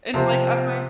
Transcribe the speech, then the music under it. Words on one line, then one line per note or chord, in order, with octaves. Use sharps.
and, like, on my
C3 F3 C4 G4 C5